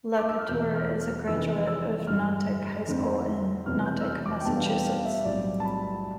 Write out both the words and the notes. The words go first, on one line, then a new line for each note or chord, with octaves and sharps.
LaCouture is a graduate of Natick High School in Natick, Massachusetts.
D6
E6
F6
E1 E2 B2 G6
F6
F6
F1 F2 E3 E6
E6
G2 D3 G3 F6
F2 D3 A3 C4
E1 E2 C3 E3 F6
G6
E6
F6
D6
G5
E2 B2 G3 B3 D4 A5
F5
G5
F5
E5
B1 A2 G3 C4 D5
A5
B5